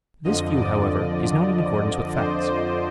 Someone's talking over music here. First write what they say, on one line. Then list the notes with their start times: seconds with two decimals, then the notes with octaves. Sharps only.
This view, however, is not in accordance with facts.
0.24 F2 D3 F3 D#5
0.56 D5
2.15 C5
2.48 C5